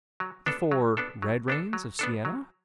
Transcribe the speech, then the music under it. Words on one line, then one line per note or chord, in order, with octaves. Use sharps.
The four red rains of Siena.
F#3
B3 D4 A4
F#3
B3 D4 A4
F#3
B3 D4 A4
F#3
B3 D4 A4
F#3